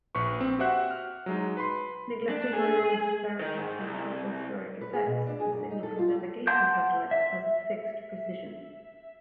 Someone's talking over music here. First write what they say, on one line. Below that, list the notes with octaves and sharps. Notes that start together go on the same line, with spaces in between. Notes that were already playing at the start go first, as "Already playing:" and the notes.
Neglecting ionospheric and tropospheric effects, the signal from navigation satellites has a fixed precision.
A#1 B4 C#6
C4
F#4 G4 C5 E5 F#5 F#6
F6
F#3 G#3 D#4
B4 B5 C6
D4
G#4
D#3
G#2
C2
B4
G#4
B2
D4
G#4
F#2
D#4
A4
F4
F#5 A5 C6 D6 G6
E5